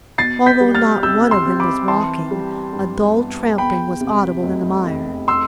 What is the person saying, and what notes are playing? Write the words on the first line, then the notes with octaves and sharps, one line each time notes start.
Although not one of them was walking, a dull trampling was audible in the mire.
B2 A6 C7
G6 B6
G3
F6 A6
C2 E6 G6
C6 E6
C4
B5 D6
E3 A5 C6
G3
G2
B3
E2 G5 B5
C3
F1
F1
C6 E6